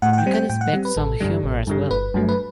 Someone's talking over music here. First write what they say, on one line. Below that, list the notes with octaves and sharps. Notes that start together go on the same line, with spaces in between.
You can expect some humour as well.
A2 F#5
F#5
G5
G3 C4
G5
A2 G5
F#5
G3 C4
B4
A1 A4
G2 D3 G3
A1
G2 D3 G3
G1 B4
G2 F#3 A3
B4